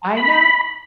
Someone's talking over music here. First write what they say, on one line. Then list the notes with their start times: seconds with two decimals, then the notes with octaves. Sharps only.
I know.
0.17 B5